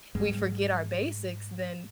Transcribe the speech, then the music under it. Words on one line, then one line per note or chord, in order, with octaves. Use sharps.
we forget our basics, then
G#2 G3 G#3